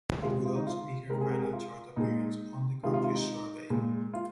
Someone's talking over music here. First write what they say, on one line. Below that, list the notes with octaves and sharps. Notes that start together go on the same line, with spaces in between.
It would also be her final chart appearance on the country survey.
C3 G#3 F4
F4
D#4
F4
C3 G#3 A#4
G#4
A#4
G#4
F4
A#2 G#3 D#4
C3 D#3 G#3 F4
F4
F4
D#4
A#2 G#3
F4